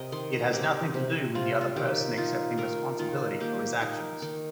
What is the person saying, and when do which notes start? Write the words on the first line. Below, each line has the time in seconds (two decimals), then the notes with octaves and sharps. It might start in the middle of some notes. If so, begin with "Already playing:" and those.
It has nothing to do with the other person accepting responsibility for his actions.
Already playing: C3 A#4 D#5
0.12 D#3 C6
0.33 A#5
0.53 C4 G4
0.94 C3
1.35 C3 F4
1.61 F4
1.76 D#3 G4
2.17 D#4 F4
2.58 D#3 A#4
2.99 D#3 F4
3.40 A#3 G4
3.81 D#4 A#4
4.22 D#3